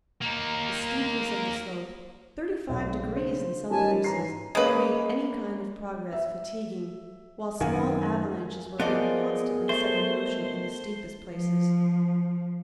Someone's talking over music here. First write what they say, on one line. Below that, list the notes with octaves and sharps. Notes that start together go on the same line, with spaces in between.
The steepness of the slope--thirty-five degrees in some places--made any kind of progress fatiguing, while small avalanches were being constantly set in motion in the steepest places.
A#3 D#4
B1
C#3
C5
D#3 G3 C#4 G#5 A5
G#2 E3 F#3 A#5 C7
G#3 A#3 C#4 B4
E5
F#2 D#3 A#4 F5 G#5
F3 B3 G#4 A#4 C5 D5 D#5
A3 C5
F3